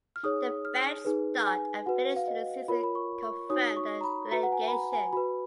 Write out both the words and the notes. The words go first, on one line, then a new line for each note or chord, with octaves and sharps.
The bad start and finish to the season confirmed the relegation.
F6
D#4 G#4 C#5 D#6
F6
D#4 G#4 B4
G#5
F#4 B4 F#5
F5
D#5
F4 A#4 C#5 B5
B5
C#6
C#6
D#4 F#4 C#5 D#6
C#6
A#5
B5
F#4 B4 A#5
F#5
G#5
B5
A#5
G#5
F#4 B4 B5